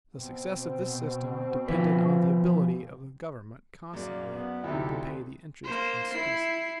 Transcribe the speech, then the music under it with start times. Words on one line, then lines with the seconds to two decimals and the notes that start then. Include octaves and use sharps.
The success of this system depended on the ability of the Government constantly to pay the interest in specie.
0.15 B2 C4
1.68 F3 B4
3.93 F#2 A#3 G#4 D5
4.33 B3
4.64 D2 C3 D#4 E4 A4
5.64 A#3 C5
6.13 E4 C7